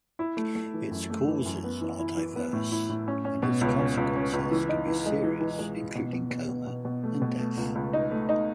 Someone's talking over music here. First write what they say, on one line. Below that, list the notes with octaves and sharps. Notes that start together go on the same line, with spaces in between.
Its causes are diverse, and its consequences can be serious, including coma and death.
E4
A3
A3
E3
F#2
A3
E3
F#2
B3
E3
E4
E3
B3
A2
E4
A2
C#4
C#4
B2
C#2
C#4
C#2
C#4
C#2
E3
D#4
E3
G#3
E3
E3
G#3
E3
B2
B2
B2
B2
B2
B2
A3
B2
A3
C#2
C#2
D#4
A3
D#4